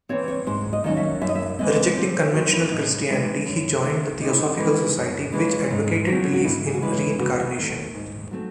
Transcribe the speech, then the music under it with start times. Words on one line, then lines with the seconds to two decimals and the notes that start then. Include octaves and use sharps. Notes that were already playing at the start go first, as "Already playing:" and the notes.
Rejecting conventional Christianity, he joined the Theosophical Society which advocated belief in reincarnation.
0.09 E3 C4 C#5
0.28 C#5
0.47 G#2 C5
0.73 D#5
0.84 D#3 F#3 C#4 D#5
0.97 E5
1.21 F#2 E5
1.28 D#5
1.35 E5
1.59 E3 G#3 C4 D#5
1.96 C3 C5
2.16 C#5
2.34 F#3 C4 F#4
2.53 E4
2.71 A2 D#4
3.09 E3 G#3 C4
3.45 F#2
3.83 D#3 A3
4.21 C3 D#4
4.29 E4
4.39 D#4
4.58 E3 G#3
4.96 F#2
5.32 C#3 E3 G#3
5.71 G#2
6.07 F#3
6.12 C4
6.33 F#4
6.44 G#2 E4
6.66 G#4
6.74 F#4
6.82 E3 G#3 C#4 E4
7.19 E2 F#4
7.56 D#3 A3
7.94 G#2
8.31 F#3 A3 C4